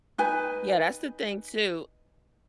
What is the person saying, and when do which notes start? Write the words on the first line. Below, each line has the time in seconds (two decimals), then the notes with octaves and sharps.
Yeah, that's the thing, too
0.18 D#4 B4 G#5